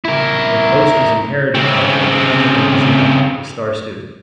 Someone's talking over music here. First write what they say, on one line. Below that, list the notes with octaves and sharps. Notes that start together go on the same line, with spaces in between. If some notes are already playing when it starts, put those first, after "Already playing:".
The post was inherited by Gaetano Veneziano, his star student.
E4 A#4
C#3 C4